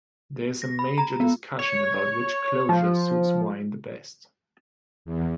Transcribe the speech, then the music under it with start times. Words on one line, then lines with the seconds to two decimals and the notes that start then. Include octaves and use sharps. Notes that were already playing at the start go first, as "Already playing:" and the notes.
There is a major discussion about which closure suits wine the best.
0.62 A#6
0.79 B5
0.98 A#5
1.20 B3
1.59 C#5
2.69 F3
5.05 E2